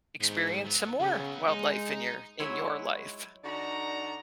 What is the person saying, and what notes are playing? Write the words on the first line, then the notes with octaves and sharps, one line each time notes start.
experience some more wildlife in your in your life.
G#2 D#3 B3
F#3 B3
C#3 F#3 B3
G#3 D#4
F#3 G#3 E4 C#5 D#5 E5
D3 D#4 F#4 D5 A#5